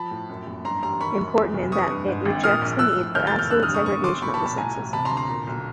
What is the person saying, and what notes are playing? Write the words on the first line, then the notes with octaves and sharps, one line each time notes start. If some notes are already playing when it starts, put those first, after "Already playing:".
Important in that it rejects the need for absolute segregation of the sexes.
Already playing: F3 A5 B5
A2
F#2
F#1
G2 A#5 C6
A1 A#5 C6
D#3 B5 C#6
F#2
E2
F1
E3 C#6 D#6
G2
G#2
G#1
A#2 D#6 F6
A#1
F3 E6 F#6
A2
D#2 F6 G6
G6 A6
F1
F6 G6
G2 E6 F#6
D#6 F6
G1
C#6 D#6
F#2 C#6 D#6
G1 C6 D6
A#2 B5 C#6
A5 B5
B1
A5 B5
A2 G#5 A#5
A1
C3 A5 B5
A#5 C6
D2
A#5 C6
A#2
B1